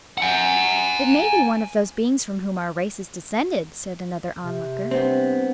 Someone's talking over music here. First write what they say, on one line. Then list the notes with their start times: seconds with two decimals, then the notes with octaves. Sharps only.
"It may be one of those beings from whom our race is descended," said another onlooker.
0.18 F#5 G#5
4.43 C3
4.91 G2 B3 C4